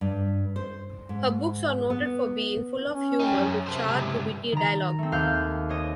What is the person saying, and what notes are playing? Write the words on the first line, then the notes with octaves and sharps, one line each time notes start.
Her books are noted for being full of humor, with sharp, witty dialogue.
G2
C5
G#2
B3
C#4
D#4 G4
F#2
C3 A4 C5
C#2 G2
D#3 A#5
A3 C4
D#2 F5 F#6 G6
C5 C#5 D#5